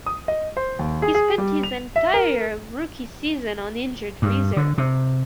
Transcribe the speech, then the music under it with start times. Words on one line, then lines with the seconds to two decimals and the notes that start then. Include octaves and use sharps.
He spent his entire rookie season on injured reserve.
0.06 D#6
0.28 D#5
0.57 C5
0.79 D#2
1.02 G#4
1.14 G#4
1.38 G3
1.63 F7
1.96 E5
2.14 A#4
4.22 G2
4.57 D3
4.78 C3